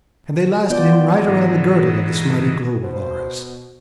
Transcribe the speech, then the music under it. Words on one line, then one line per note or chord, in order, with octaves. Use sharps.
And they lasted him right round the girdle of this mighty globe of ours.
B3 F4 D5 G5
G#2 D#3 E3
B2 C5